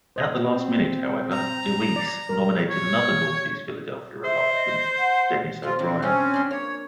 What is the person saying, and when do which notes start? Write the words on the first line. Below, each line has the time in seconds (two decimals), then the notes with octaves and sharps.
At the last minute, however, DeWeese nominated another Northeast Philadelphia Republican, Dennis O'Brien.
0.16 C5 D#5
0.49 C4
1.33 A#5
1.96 D5
2.29 A#4
2.70 C#5
4.24 C5 E5
4.54 D#5
4.98 F#5
5.63 F3 C4 F4
5.79 F#3 C4 D4
6.02 F3 A3 C4 C#4 F#4
6.34 D4 C6
6.51 A#3 C#5